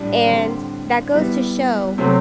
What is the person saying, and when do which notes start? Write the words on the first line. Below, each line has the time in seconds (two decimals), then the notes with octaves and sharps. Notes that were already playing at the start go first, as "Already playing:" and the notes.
and that goes to show,
Already playing: A2 G3 D4
0.26 D3 G3 C4
1.12 G3 B3 E4
1.98 C3 F#3 A3 C4